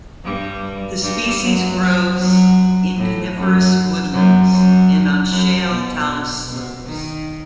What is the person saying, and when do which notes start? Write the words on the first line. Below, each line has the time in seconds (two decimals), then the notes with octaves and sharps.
The species grows in coniferous woodlands and on shale talus slopes.
0.24 G2 G3
1.02 G2 G3
1.41 F#2 F#3
2.19 F#2 F#3
2.97 A2
3.36 F#2
4.13 F#2
4.52 F#2
5.31 F#2
5.69 B2
6.47 B2
6.85 D#3